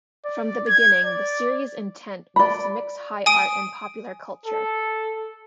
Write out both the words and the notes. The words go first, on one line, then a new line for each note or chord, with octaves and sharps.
From the beginning the series' intent was to mix high art and popular culture.
D5
G#6
D5
D5 B5
G#5 D#6 D7
A4